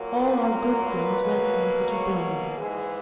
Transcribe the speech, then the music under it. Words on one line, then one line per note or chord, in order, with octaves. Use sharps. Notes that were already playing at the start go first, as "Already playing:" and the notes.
All our good things went from us at a blow.
Already playing: A#2 F#3 A#3
B4
A#4
B4
B2 F#3 A#3
C#5
G#2 E3 G#3 G#4